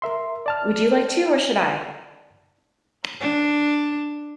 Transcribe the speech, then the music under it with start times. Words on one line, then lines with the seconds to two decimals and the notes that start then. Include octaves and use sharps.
Would you like to, or should I?
0.02 A#4 E5 C6
0.46 D5 A5 F6
3.20 D4